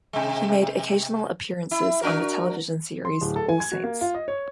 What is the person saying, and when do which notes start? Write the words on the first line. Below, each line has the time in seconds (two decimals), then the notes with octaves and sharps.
He made occasional appearances on the television series "All Saints".
0.13 C3 G#3
1.71 E4
2.02 D4 F#4 A#4
3.05 C6
3.21 D1
3.36 A4
3.49 G#5
3.60 G#6
3.72 F#4
3.84 A#3
4.01 F4
4.14 D#5
4.28 C#5